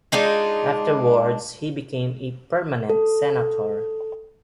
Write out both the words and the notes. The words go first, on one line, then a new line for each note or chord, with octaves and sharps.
Afterwards he became a permanent senator.
G#3 D4 D#4 F4
A4